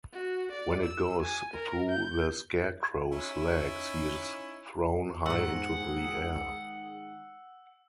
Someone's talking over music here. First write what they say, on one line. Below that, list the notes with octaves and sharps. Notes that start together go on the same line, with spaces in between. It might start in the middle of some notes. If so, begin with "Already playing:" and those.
When it goes through the scarecrow's legs, he is thrown high into the air.
F#4
D5
E6
G#5
A#4
G6
C#4 D#4 E4
G#2 D#3 G#4 F#5 E6